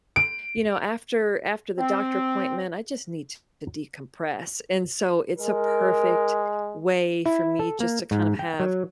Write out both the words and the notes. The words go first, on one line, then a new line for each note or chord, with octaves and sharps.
you know, after after the doctor appointment, I just need to decompress, and so it's a perfect way for me just to kind of have
D7
C4
G#3 A#4
E4
A4
A#3
G#2
G5
F#3